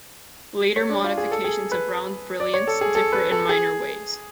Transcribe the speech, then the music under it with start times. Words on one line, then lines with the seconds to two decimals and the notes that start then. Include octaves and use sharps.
Later modifications of round brilliants differ in minor ways.
0.76 C#5
0.90 D4
1.04 F4
1.18 G#4
1.31 A4
1.44 G#4
1.72 B4
2.40 D5
2.54 C#5
2.67 A4
2.81 G#4
2.95 A4
3.13 B4
3.31 A4
3.49 G#4